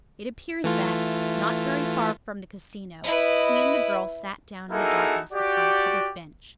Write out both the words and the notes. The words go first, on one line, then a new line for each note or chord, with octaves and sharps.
It appears that, not very far from the Casino, he and the girl sat down in the darkness upon a public bench.
E3 A3 F4
E4 B4 D#5
A#3 D#4 E4 F#4 G#4 A4
F#4 G4 D5